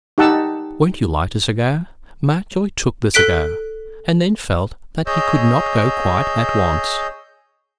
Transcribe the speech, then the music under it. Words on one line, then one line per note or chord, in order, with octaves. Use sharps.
"Won't you light a cigar?" Mountjoy took the cigar, and then felt that he could not go quite at once.
D#4 G4 F#5 A5 E6
A4 F#6 B6 D7
G#4 C#5 D#5 E6 G6